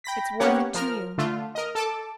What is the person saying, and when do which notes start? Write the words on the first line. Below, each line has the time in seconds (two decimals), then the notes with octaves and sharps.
It's worth it to you.
0.04 G5 B5 A#6 B6
0.40 A#3 B3 C#4 G4 C#5 F#5
0.74 F3 A#4 F6
1.18 D3 A3 F4
1.55 A#4 D#5
1.75 A4 A5 D6